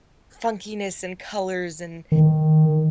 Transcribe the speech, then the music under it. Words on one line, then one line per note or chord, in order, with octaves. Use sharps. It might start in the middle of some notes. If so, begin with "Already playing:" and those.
funkiness and colors, and
D#3